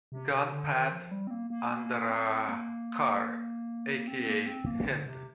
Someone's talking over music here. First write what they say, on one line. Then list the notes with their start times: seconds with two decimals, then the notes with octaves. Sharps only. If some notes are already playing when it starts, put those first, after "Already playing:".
Gunpat Andarakar aka Hind.
0.12 C3
0.32 C3
0.52 D3
0.72 D#3
0.92 F3
1.11 G3
1.27 C4
1.31 A#3
1.50 A#3
1.71 A#3
2.10 C4
2.49 A#3
4.08 C4
4.20 C4
4.27 A#3
4.46 C4
4.66 A#3
4.86 D3
5.06 C3